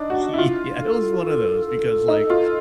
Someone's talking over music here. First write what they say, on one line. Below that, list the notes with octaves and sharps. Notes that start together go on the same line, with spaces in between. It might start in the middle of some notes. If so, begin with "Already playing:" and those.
yeah, it was one of those, because, like,
Already playing: D4 D#4
F#4
E4
F4
A4
A4
A4
D#4
F4